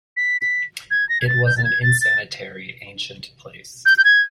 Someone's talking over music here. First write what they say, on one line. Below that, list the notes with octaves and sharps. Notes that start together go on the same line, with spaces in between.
It was an insanitary, ancient place.
B6
B6
G#6
A#6
G#6
A6
G6
A6
G#6
A6
A6
G6
G6
G#6